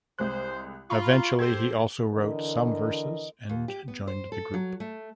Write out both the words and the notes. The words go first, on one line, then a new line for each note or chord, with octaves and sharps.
Eventually he also wrote some verses and joined the group.
C2 G#3 C5 F#6
F4 A#5 B5 C#6
G4 A4 C5 G#6
D3 E3 A#4 D#5
D#2
G4
B3
C5
A4
F#3
A3